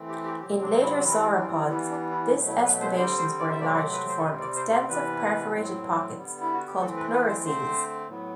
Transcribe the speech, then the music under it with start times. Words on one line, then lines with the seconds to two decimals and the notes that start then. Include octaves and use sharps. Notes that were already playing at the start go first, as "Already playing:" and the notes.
In later sauropods, this excavations were enlarged to form extensive perforated pockets called pleurocoels.
Already playing: E3 A3 C4
0.08 G4
0.24 G4
0.40 C3 F#3 C4 G4
0.61 D4
0.83 E4
0.99 F#4
1.04 E3 G3 C4 E4
1.37 D4
1.68 E3 G3 B3 E4
1.90 D4
2.10 E4
2.32 B2 F#3 A3 E4
2.48 E4
2.64 B4
2.81 C5
2.96 D3 G3 C4 C5
3.18 C5
3.39 D5
3.51 E5
3.60 C3 F#3 A3 C4 D5
3.76 D5
3.93 B4
4.08 C5
4.18 A4
4.24 C3 G3 C4 B4
4.40 D5
4.56 C5
4.73 C5
4.89 C3 E3 G3 B3 B4
5.52 A2 F#3 C4
6.17 D3 G3 B3
6.41 E4
6.54 F#4
6.67 G4
6.80 E3 A3 C4 A4
6.97 B4
7.13 B4
7.28 C5
7.44 D3 A3 C4 C5
8.08 A2 F#3 B3